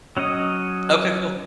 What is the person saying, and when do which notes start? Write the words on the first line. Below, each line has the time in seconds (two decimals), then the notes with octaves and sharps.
Okay. Cool.
0.17 F#3 C#4 C#5 D#5 D#6